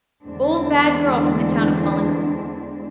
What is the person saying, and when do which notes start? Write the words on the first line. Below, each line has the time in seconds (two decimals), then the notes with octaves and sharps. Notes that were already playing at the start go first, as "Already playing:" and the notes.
Bold bad girl from the town of Mullingar.
0.24 E2 D3 G#3 C4 D4